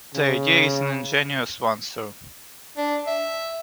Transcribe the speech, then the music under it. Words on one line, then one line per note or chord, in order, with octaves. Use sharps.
The idea is an ingenious one, sir.
C#3
D4
E5